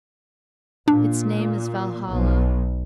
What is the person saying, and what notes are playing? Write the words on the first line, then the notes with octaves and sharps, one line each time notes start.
Its name is Valhalla.
A#2 D4
B1